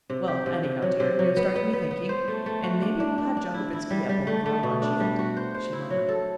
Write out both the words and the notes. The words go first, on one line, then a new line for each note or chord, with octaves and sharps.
"Well, anyhow, dear, you have started me thinking, and maybe we'll have Jockobinski at Bolivar Lodge yet," she murmured.
C3
G4
C3
C3
F#3
C3
F#3
B3
B3
B3
B3
C5
A3
A3
F#4
D4
D4
D4
D4
E4
E4
G3
G3
A3
A3
B2
D4
G3
F#4
C5
C5
E4
F#3
A4